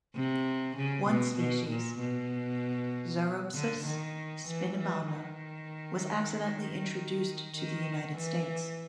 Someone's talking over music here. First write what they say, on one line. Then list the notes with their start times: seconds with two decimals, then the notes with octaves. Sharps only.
One species, "Zoropsis spinimana", was accidentally introduced to the United States.
0.15 C3
0.77 C#3
1.07 B2
1.38 B2
1.69 A#2
2.00 B2
3.54 D3
3.86 D#3
4.48 E3
4.78 E3
5.09 D#3
7.56 D#3
8.18 E3